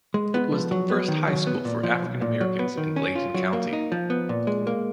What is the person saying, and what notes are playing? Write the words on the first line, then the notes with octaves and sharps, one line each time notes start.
It was the first high school for African Americans in Bladen County.
G#3
B3
F3
F#3
B3
D#3
F#3
B3
A#2
F3
B1
A#2
F#3
B3
D#3
C#4
F4
F#3
A#3
D#4
F3
B3
A#2
G#3
A#3